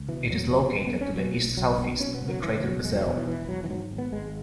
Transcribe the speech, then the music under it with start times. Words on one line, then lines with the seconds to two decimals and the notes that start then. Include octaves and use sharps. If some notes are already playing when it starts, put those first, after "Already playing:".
It is located to the east-southeast of the crater Bessel.
Already playing: C#2
0.08 B2 E3
0.30 E2 F#3
0.51 B2 F#3
0.62 F#3
0.72 E1 G#3
0.86 B3
0.94 E1
1.01 C#4
1.15 B2 F#3
1.36 B1
1.57 B1 F#3
1.78 B2 B3
2.00 B2 C#4
2.14 B3
2.21 C#2
2.28 F#3
2.42 C#2 E3
2.60 E3
2.63 B2 F#3
2.85 E2 G#3
2.95 F#3
3.06 B2
3.17 E3
3.27 E1 E3
3.49 E1 F#3
3.64 E3
3.70 G#2 F#3
3.91 G#1
3.98 B3
4.12 G#1 G#3